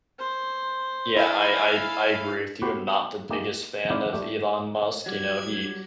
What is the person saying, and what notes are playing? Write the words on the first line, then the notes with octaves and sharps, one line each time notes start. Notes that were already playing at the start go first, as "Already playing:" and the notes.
yeah, I I I agree with you, I'm not the biggest fan of Elon Musk, you know, he
C5
E4 A4 F5 G#5
B3 F#4 G4 B4 C5
A3 A#3 D#4 G4 G#4 G#5
C4 D#4 E4 D5 F5
G3 A3 G4
F#3 G3 G#6